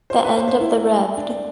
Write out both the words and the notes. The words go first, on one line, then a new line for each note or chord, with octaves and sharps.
The end of the Revd.
C5
B4
C5
C5
E4
D4